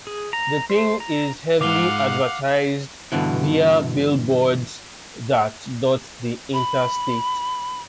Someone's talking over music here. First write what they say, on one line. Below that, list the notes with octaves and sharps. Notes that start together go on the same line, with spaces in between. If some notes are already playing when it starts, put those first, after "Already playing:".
The Thing is heavily advertised via billboards that dot the interstate.
G#4
A#5
C5
A#5
D2 G#2 F5 F#5 D6 F7 G7
G2 B2 D3 E3
B5